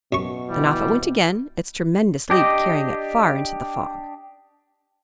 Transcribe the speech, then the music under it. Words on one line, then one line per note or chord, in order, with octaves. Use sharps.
Then off it went again, its tremendous leap carrying it far into the fog.
F#2 B2 C#6
E3 G3
D4 G4 D#5